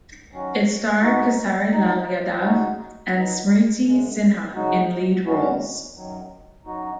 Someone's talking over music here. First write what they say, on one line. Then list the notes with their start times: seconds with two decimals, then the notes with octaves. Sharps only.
Its star Khesari Lal Yadav and Smriti Sinha in lead roles.
0.31 D#3 F#3 C#4 F#4
1.01 B2 G#3 D#4 F#4
1.72 D#3 F#3 D#4
2.42 C#3 G#3 D#4 F#4
3.13 D#3 F#3 B3 D#4
3.84 F#2 C#3 G#3
4.54 C#3 F#3 D#4 F#4
5.25 F#2 D#3 G#3 C#4 F#4
5.96 F#2 D#3 F#3
6.65 F#2 F#3 D#4 F#4